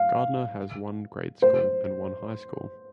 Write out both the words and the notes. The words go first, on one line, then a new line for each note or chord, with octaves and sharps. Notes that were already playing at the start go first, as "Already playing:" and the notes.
Gardner has one grade school and one high school.
Already playing: F5
C5